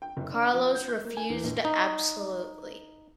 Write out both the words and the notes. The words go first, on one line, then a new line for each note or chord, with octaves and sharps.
Carlos refused absolutely.
G5
F#1
D4
F3
G6
G6
A#3
G#5
E2
A#1
D#4